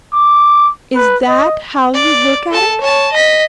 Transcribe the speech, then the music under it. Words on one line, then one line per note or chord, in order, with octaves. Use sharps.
Is that how you look at it?
D6
B4
D#5
D5
A4 A5
C#5 A5
D#5 B6